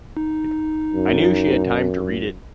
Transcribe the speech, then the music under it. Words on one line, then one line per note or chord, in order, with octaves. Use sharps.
I knew she had time to read it.
D#4
F#2